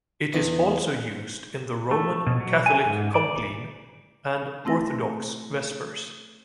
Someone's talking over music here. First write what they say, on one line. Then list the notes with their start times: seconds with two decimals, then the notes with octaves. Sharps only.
It is also used in the Roman Catholic Compline and Orthodox Vespers.
0.34 E2
1.91 A3
2.27 B2
2.40 F#3
2.66 G#5
2.85 G#2
3.14 D5
4.65 A3 C4 E4 A#6